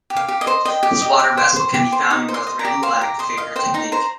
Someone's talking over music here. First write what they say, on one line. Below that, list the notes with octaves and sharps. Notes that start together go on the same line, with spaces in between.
This water vessel can be found in both red- and black-figure technique.
G4
F5
G4
D#5
C5
D#5 G5
G4
D#5
G4
C5
C5
G4
C5
D#4 D#6
C5
C6
D#5
A#5
G4
C5 F5
G4 A#5
C5 D#5
D#5 F5
C5 G5
D#4 A#5
C5 A#5